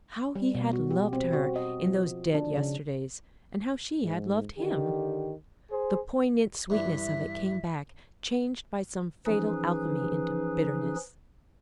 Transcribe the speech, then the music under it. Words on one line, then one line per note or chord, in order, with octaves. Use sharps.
How he had loved her, in those dead yesterdays, and how she had loved him! The poignant sweetness of it came back, changed by some fatal alchemy into bitterness.
G3
B2
F#4
G4
C4
F#4
D#5
F3
D4
C#3
G#2
D3 D#3 G4
G#4 C5
G2 E3 E5
E3 F3 C#4 D#4 G#4 B4